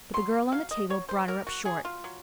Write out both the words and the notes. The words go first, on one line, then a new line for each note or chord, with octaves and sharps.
But the girl on the table brought her up short.
F#3 C6
F#3 F5
D#5
F#3 C#5
C5
A#3 A#4
F#4
F#3 G#4
F4
F#3